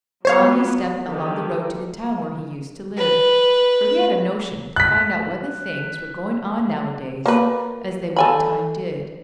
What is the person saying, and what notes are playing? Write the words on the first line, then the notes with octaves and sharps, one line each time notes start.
On he stepped along the road to the town where he used to live, for he had a notion to find out whether things were going on nowadays as they one time did.
F#3 B3 F4 C5 C#5 F5
D3 D#3 G4
B4
F#6 B6
A#3 B4
A4 G#5 B5